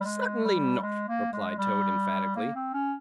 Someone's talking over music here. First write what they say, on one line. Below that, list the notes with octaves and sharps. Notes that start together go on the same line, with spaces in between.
'Certainly not!' replied Toad emphatically.
G3
G#3
G3
G#3
A#3
G#3
G3
A#3
C4
C#4